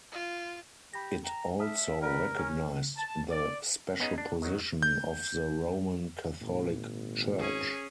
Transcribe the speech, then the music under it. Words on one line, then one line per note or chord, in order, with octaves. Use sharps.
It also recognised the "special position" of the Roman Catholic Church.
F4
G4 B5 A#6
G5 A#5 E7
E5 A5 D#6 F6
A#4 B4 D5
C#4 C#5 F6
A5
D5
B3 C#4 D#4 G#4
D4
D#3 F#3
G6
G#1 A#2
C#4 G#4